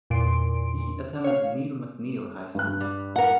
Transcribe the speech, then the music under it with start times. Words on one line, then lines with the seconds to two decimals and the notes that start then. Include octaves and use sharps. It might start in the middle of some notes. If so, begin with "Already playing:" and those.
He attended Neil McNeil High School.
0.10 E2 A#2 C6 D7
1.24 C#5 F5
2.55 G2 F#6
2.80 G3
3.16 A#4 F#5